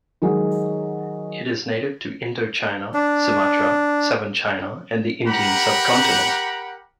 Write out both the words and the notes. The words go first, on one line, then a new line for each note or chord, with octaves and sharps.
It is native to Indochina, Sumatra, southern China, and the Indian Subcontinent.
D#3 F#3 G#3
D4
G4 A#4 F#5 A#5 B5